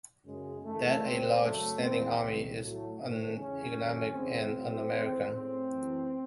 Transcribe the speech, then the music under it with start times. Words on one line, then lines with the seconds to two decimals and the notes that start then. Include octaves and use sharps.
That a large standing army is uneconomic and un-American.
0.25 F#2 C#3 G#3
0.64 E2 D#3 G#3 A3
1.03 C#2 C#3 G#3 C4
1.41 F#2 C#3 F#3 A3
1.80 E2 D#3 G#3 C4
2.19 C2 C3 D#3
2.58 A2 F#3 A3
2.97 G#2 D#3 A3
3.36 E2 C#3 G#3 C#4
3.75 F#2 D#3 A3
4.13 E2 C#3 G#3 C4
4.52 A2 F#3 A3
4.91 E2 D#3 G#3
5.29 A2 G#3 C4
5.69 F#2 E3 A3